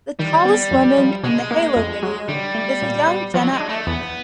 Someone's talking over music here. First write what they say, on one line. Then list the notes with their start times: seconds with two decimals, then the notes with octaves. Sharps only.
The tallest woman in the "Halo" video is a young Jenna Elfman.
0.19 D#3 G3
0.45 B3
0.71 F2
0.98 F3
1.24 B2 G#3
1.51 A#3
1.76 F2
2.03 F#3
2.28 D3 G3
2.55 A3
2.82 A#2
3.07 B3
3.34 F3 F#3
3.52 G#3
3.60 D4
3.69 A3
3.87 E2 B3